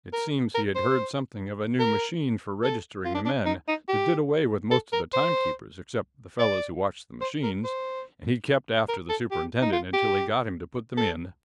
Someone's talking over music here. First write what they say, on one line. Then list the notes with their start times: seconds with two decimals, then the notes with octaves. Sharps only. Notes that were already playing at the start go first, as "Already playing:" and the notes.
It seems he had heard something of a new machine for registering the men, that did away with most of the timekeepers except the fellows who watched the machines, and he kept after the Superintendent until he got him to put them in.
0.13 A#4
0.54 A#4
0.75 C5
1.79 A#4
2.63 A4
3.04 F4
3.15 D4
3.25 D4
3.46 D#4
3.68 D#4
3.88 G4
4.71 A4
4.93 A#4
5.13 C5
6.39 D5
7.21 C5
7.43 A#4
7.64 C5
8.89 A#4
9.09 A4
9.31 G4
9.62 D#4
9.72 F4
9.93 G4
10.97 A4